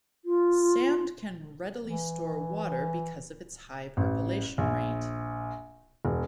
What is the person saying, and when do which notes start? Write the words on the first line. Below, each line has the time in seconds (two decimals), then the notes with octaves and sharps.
Sand can readily store water because of its high percolation rate.
0.25 F4
1.83 E3
3.97 A1
4.58 A#1
6.05 E1